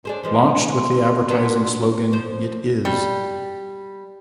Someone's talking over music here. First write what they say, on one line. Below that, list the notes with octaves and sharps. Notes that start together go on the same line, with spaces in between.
Launched with the advertising slogan It is.
D4 G#4 A4 C5
E3 F3 G#3 C6
B3 D4 F#4
F3 C5
G3